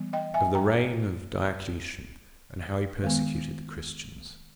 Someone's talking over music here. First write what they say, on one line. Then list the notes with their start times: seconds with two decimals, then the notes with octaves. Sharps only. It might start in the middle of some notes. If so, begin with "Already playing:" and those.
Of the reign of Diocletian, and how he persecuted the Christians.
Already playing: E3 G3 B3
0.13 D#5 G5
0.34 E5 G#5
0.55 G5 A#5
3.02 D#3 G#3 B3